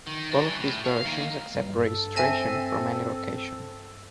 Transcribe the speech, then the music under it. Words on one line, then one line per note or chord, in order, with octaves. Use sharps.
All of these versions accept registration from any location.
D#3
F#3 D4
E3
A2
C#5 F5
D#3 A#3
G2
A4
C4 E5 G#5 A5